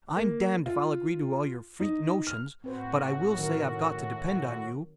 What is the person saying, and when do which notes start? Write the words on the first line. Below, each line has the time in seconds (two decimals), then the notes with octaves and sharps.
I'm damned if I'll agree to all your freak notions, but I will say I've got to depend on you.
0.16 A#3
0.66 F4
1.80 D#4
2.27 F6
2.64 A2 C4 F#4 B4 C5
3.36 D#3 F#3 A#4